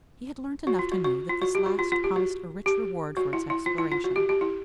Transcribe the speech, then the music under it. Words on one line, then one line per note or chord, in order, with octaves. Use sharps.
He had learnt enough to know that this last promised a rich reward for its exploration.
F#4
F4
F#4
F#4
F4
F#4
G4
F#4
F4
F4
G4
F#4
G4
F#4
E4
E4
F4
E4
F4
F#4
G4
G4
E4